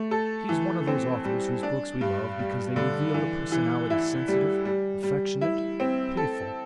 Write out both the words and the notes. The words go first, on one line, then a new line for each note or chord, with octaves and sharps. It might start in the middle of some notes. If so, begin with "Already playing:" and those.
He is one of those authors whose books we love because they reveal a personality sensitive, affectionate, pitiful.
Already playing: A3
A4
E3
C4
G3
D4
G2
G3
D3
E3
E3
E4
G3
G3
G3
E4
C4
A4